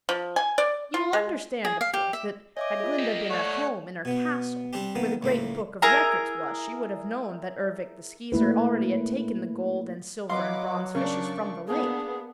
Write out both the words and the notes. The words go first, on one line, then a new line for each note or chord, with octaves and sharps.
You will understand, of course, that had Glinda been at home in her castle, where the Great Book of Records was, she would have known that Ervic the Skeezer already had taken the gold and silver and bronze fishes from the lake.
F3
G#5
D5
F4
G#3
G#4
F5
G4
E5
C#5 D#5 E5 G#5 D6
F4 G#4
A#3 G4
A3 C#5 D5 F#5 G#6
B2 B3
G3 C4 D4 G4
D#3 A#3 B3
C#2 A2 A#3 B5
E4 G#4 A#4 A#5
A3 A#3 E4 B4
F#3 B4 D#5 F5 F#5 C6 D6
C#3 D4 A#4 D5 C#6
A#3 B3 D4 G#4